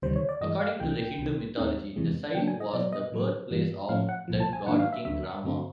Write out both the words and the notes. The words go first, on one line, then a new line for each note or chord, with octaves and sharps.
According to Hindu mythology, the site was the birthplace of the God-king Rama.
D2 C3 D#3 G3 C5
C#5
D5
G2 E3 G#3 D#5
F5
C2 C3 E3 A3 G5
C2 C3 D#3
D#2 D#3 G#3 C4 D#4
E2 C3 E3 G#3
C#3 F#3 A#3 D4 G5
G#5
D#5
B2 F#3 B3 D5
D#5
A2 F#3 A3
G2 E3 G3 A#3
A2 F3 A3 C#4 F5
F#5
C2 A#2 F3
A5
G#5
G#2 D#3 F#3 A#3 D4 F#5
F5
E5
D2 D3 F#3 E5
G2 D3 F#3 A3 C4